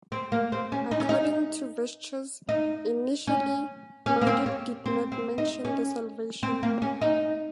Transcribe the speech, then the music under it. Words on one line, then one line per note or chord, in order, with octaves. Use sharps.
According to Viesturs, initially Mauduit did not mention the salvation.
C4
A#3
C4
C#4
D#4
C#4
D#4
D#4
C#4
C#4
A#3
C4
C#4
C4
C4
D#4
C#4
C4
A#3
C#4
D#4